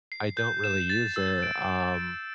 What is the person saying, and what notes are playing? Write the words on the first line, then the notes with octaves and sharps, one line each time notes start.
I don't really use it, um,
C7
G6
E7
A6
E6
D7
D7
D7